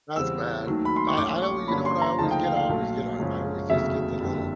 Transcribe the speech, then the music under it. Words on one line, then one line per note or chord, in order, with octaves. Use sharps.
That's bad. I I always you know what I always get? I always get a I always just get the little,
E2 C#3 E3 G3 C4 E6
D#2 D#3 F#3 A3
B5
C6
C#6
A#1 A#2 F#3 A3 C#4 D6
C#6
G2 D3 G3 A#3 C#4 B5
C6
A#5
D2 C#3 F3 A#3 D#4 A5
G5
F5
F5
A#1 A#2 F#3 A3
F#2 C#3 F3 G#3 C#4
F1 D#2 C#3 F#3 E5
F#1 F2 D3 G3